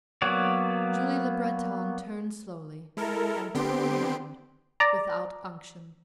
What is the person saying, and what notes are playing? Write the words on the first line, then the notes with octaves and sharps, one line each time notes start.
Julie Le Breton turned slowly and took the hand--without unction.
F#3 A#3 B3 C#5 D5
G#3 E4 A4 A#4
D3 B3 C4 G4 C6 D7
D5 A#5